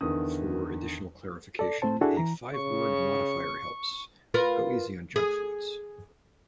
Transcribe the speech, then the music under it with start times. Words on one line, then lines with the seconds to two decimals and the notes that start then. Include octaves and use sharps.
For additional clarification, a five-word modifier helps: go easy on junk foods.
0.01 E2 D3 D#3 D#6
1.59 A4 D5
1.82 A3 C4 C5 A5
2.01 D4 E4 F#4 G#4 A4
2.17 E3 A#5
2.53 C#3 C#6
4.34 F4 A#4 B4
5.16 G#4